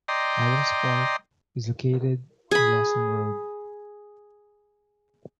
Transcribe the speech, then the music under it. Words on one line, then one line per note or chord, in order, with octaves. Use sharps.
Adams Park is located on Lawson road.
D5 D#5 G5 A#5 C6
G#4 B5